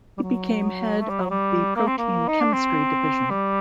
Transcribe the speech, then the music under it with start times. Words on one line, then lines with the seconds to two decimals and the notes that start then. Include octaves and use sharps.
He became head of the Protein Chemistry division.
0.17 G3
0.22 F#3
0.99 A3
1.09 G3
1.20 F#3
1.30 G3
1.76 A#3
1.87 C4
1.98 A#3
2.28 D#4
2.41 D4
2.53 C4
3.30 G3